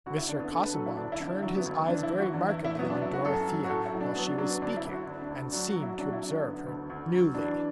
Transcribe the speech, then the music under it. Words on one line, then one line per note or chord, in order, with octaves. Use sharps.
Mr. Casaubon turned his eyes very markedly on Dorothea while she was speaking, and seemed to observe her newly.
D2 F#4
E4
D3 D4
B3
D3 A4
B4
F#3 A4
E4
D2 D4
E4
D3
D4
F#3 E4
B3
D2
B3
E3 D4
E4
E3
F#4
E2 D4
E4
E3
E4
F#3 B3
D4
F#3 E4
F#4
F#2 A4
F#3
F#4
A2 A4
E4
F#3
D4
F#3 B3
D4
F#3 D4
B3
D2 D4
E4
D2
F#4
D2 D4
D4
D2
F#3 D4
F#4
F#3
E4
F#3 D4
E4
F#3
D4
D3 B3
D2
D2
F#3
E3 D4